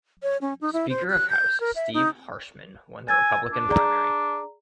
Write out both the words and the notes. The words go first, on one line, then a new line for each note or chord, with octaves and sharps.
Speaker of House Steve Harshman won the Republican primary.
C#5
C#4
D#4
E4
C5
F#6
G6
A#4
E5
D#4
G#5 E6 G#6 A6
D4
G#4 D5 A#5